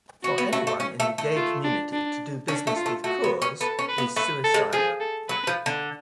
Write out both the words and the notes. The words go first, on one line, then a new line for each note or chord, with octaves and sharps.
For anyone in the gay community to do business with Coors is suicidal.
C#4 F#4
B3
A3
A3
C#4
A3
A3
F4
D4
D4
C#4 D4
A3
F4
A3
A3 F#4
B3
C#4
B3 A4
C#4
B4
B3
A3 B4
A4
G#3
F3 G#4
A4
F#3 B4
F3
D3